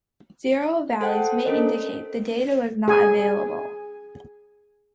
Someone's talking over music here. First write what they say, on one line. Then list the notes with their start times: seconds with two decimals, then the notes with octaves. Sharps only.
Zero values may indicate the data was not available.
1.01 A4 C5 F#5 G5 A5
1.46 C#4 D4 A4 A#4 C5 D#5
2.88 G#4 G#5